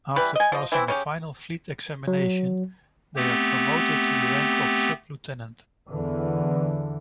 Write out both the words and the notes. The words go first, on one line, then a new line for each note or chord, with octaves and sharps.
After passing the final fleet examination, they are promoted to the rank of sub-lieutenant.
E3 G3 B4
D#5 G#5
F3 D#5
E3 C4 E4
C#3 C#4 G4
F#3
A3 B3 C4 G4
E2 D3 E3